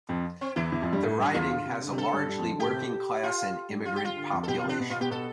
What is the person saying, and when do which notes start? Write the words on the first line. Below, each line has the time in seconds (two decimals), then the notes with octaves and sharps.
The riding has a largely working class and immigrant population.
0.09 F2 F3
0.41 C4
0.56 E2 E3 E4
0.72 E2 E3
0.82 F2 F3
0.93 G2 G3
1.03 A2 A3
1.19 G2 G3
1.34 E2 E3 F4
1.50 D3
1.66 C3
1.82 D3
1.92 C3
1.97 D3 A4
2.13 G2 G3
2.28 G2 G3
2.39 F2 F3
2.50 D3
2.59 A2 A3 G4
2.70 C3 C4
2.81 B2 B3
3.23 F4
3.69 G2 G3
3.85 F4
3.96 G4
4.05 F4
4.16 D3
4.32 F2 F3
4.43 A4
4.48 B2 B3 G4
4.58 F4
4.64 C3 C4
4.69 D4
4.79 B2 B3
4.90 B2 B3 F4
5.00 B2 B3 G4
5.11 B2 B3 A4